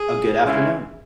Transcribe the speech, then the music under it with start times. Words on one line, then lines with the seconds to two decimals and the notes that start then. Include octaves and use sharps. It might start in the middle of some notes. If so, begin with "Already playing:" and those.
a good afternoon.
Already playing: G#4
0.45 C#2 C#3 G#3 C#4 E4